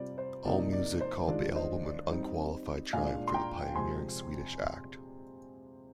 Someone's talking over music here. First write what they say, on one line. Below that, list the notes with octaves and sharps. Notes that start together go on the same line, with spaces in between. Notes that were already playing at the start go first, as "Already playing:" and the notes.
AllMusic called the album an unqualified triumph for the pioneering Swedish act.
Already playing: C3 G3 C4 F4 D5
C5
C3 F3 A#3 D#4 D5
D5
C5
D#3 G#3 D4 F4 D5
C5 D#5
D5
G3 C4 D#4
A#2 G#3 D4 F5 G#5
C6
G5 A#5
C3 F3 G#3 C4 G#5 C6